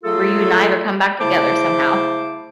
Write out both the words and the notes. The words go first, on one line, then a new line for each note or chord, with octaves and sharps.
reunite or come back together somehow.
F#3 A3 F4 G#4 A4
C#3 A3 E4 C5 A5 D6